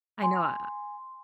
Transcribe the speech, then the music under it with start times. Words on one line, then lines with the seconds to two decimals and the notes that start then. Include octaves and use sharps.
I know I
0.22 G#5 C6